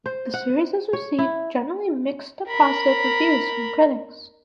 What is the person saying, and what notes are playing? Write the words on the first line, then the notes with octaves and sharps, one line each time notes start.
The series has received generally mixed to positive reviews from critics.
C5
F#5
C#5
E4
A#4 B5